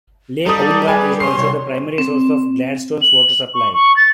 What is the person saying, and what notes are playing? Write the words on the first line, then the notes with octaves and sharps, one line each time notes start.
Lake Awoonga is also the primary source of Gladstone's water supply.
G3 D#4 A4 A#5 D#6
D5
G#4 B4 G#5
C#4 C6 C7
C2 C#5
C4
F#7
C#6
C#6
A6